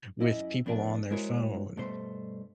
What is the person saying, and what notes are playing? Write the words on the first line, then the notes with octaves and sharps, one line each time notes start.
with people on their phone,
F#2 E4 D#5
F2 B3 D4 A#4 G5 A5
G#3 E4 F#4 A#4 C5 C#5
G2 B2 A3 C5